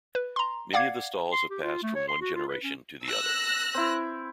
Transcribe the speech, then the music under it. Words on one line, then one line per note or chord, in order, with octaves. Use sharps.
Many of the stalls have passed from one generation to the other.
B4
A#5 C6
D5 F5 F#5 D6 G#6 C7
C6
G4
F4
A3
C#5
C6
F#4
F4
B4
C#4
E6 F#6 A#6
C4 E4